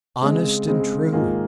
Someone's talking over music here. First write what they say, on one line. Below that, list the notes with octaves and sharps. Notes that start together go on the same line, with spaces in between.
"Honest and true."
C#3 G#3 C4
C#3 G#3 C4
G#2 D#3 A#3 F4 G#4